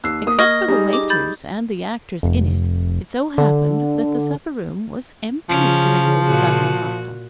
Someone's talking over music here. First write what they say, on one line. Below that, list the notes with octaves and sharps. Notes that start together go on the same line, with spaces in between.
Except for the waiters, and the actors in it, it so happened that the supper-room was empty during this sudden fracas.
D#2 E6 F#6 C7
A#3 D#6
D#5 C#6 F6 G#6
G3 D#4 G#4
D6
B5 G6 A6
F1
D3
C#3 F3 C#4
A#2 F#4